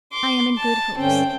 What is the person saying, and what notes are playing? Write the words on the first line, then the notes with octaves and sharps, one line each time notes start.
'I am in good hopes.
C6 D6
A5
G2 D3 C4 C#4 G5